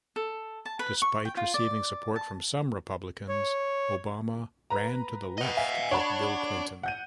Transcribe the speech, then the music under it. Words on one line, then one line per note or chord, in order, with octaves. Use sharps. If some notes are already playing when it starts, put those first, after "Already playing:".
Despite receiving support from some Republicans, Obama ran to the left of Bill Clinton.
A4
A5
B4
C#6
G5
F4
D5
A5
C#5
B4 A#5
D#5 F#5
E5 F5 G#5
D4 C#5 F#5 B5
F#5 G6 D#7